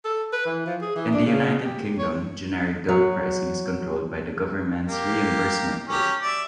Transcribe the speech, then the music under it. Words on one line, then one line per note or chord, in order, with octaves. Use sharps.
In the United Kingdom, generic drug pricing is controlled by the government's reimbursement rate.
A4
B4
E3
F3
G#4
E3
D4
C#3
G4
C#5
F#3
A#3 G4
F#3 C#4 G4
D5 E5